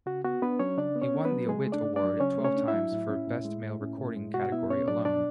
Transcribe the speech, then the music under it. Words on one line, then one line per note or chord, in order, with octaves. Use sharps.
He won the Awit Award twelve times for "Best Male Recording" category alone.
C#3 F#4
B3 F#4
B3 D4 B4
F#3 C#4 C#5
C#3 D4 D5
B3
C#4 C#5
D4
B3 B4
F#3
C#3 G#3 G#4
A3
D4 D5
D4
D4 D5
F#3
C#3 C#4 C#5
A3
C#4 C#5
D4
E4 E5
F#3
A2
C#4
A2
G#3
A2
C#4
A2
G#3
B2 F#4 F#5
B3 E4 E5
B2 C#4 C#5
F#3 D4 D5
B2 D4 D5